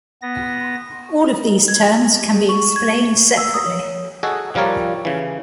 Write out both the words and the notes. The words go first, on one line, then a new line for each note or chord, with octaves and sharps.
All of these terms can be explained separately.
B3 A#6
G#6
G#4
C#6
G#6
E6
D#6
C#5
F#4 G#4 A4 D#5
F3 G3 F4 A#4 C#5 D5
C#3 E3